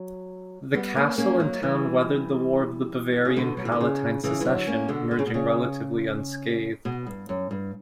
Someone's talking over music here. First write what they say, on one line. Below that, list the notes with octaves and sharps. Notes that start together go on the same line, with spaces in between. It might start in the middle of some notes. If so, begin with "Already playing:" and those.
The castle and town weathered the War of the Bavarian-Palatine Succession, emerging relatively unscathed.
Already playing: F#3
G3 B3
A#3 C#4
A#3 C#4
F#3 A#3
E3 G3
C#3
B2 D3
F#3
E3
D3
C#3
C#3 E3
E3
D3 F#3
A#3 C#4
B2 D3
D3
C#3
B2
C#3
B2
G2
F#2
G2